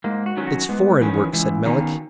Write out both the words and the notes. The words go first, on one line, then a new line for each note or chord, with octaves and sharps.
"It's foreign work," said Melick.
G#2 A#3
F#4
D#3 F#3 C#4
F#4
G#2 B3
D#3 E3 F#3 C#4
C#2 E3
B2 D#3 A#3 C#4